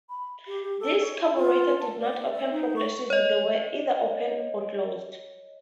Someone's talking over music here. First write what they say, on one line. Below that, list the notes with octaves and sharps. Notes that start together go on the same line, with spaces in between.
These carburetors did not open progressively; they were either open or closed.
B5
G4
G4
A4
C#5
A5
F4
A5
D5
E5
D#4
C#6
C#5 D#5